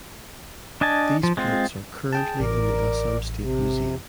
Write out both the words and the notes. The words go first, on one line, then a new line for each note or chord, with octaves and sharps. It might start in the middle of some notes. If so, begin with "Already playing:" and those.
These plates are currently in the Assam State Museum.
D4 D#5 G#5 A5
F3
G#3 C4 F4
G#4 G5 A5
A1 A#4 D5
C3